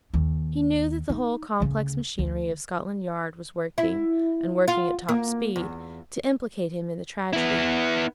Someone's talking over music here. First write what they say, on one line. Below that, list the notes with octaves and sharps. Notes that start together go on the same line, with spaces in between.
He knew that the whole complex machinery of Scotland Yard was working, and working at top speed, to implicate him in the tragedy.
D#2
D#4
D2 C#3
D2
E4
F4
A#3
E2
B3 E4